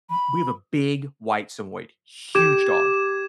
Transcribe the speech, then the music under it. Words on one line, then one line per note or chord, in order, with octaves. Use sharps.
W we have a big white Samoyed, huge dog,
B5
G4 D6 G#6 E7